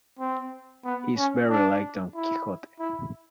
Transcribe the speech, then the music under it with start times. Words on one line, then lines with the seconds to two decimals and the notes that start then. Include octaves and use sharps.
He is very like Don Quixote.
0.19 C4
0.85 B3
1.17 C#4
1.49 D4
2.15 E4
2.79 E4